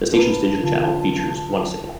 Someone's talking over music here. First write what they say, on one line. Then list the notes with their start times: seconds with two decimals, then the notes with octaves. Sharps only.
The station's digital channel features one signal.
0.12 A#4 B4 A5
0.60 D3 F4